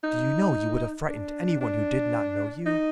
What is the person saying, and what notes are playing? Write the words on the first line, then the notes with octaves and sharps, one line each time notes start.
Do you know, you would have frightened any one who did not know you?
D#4
D4
D4
D#4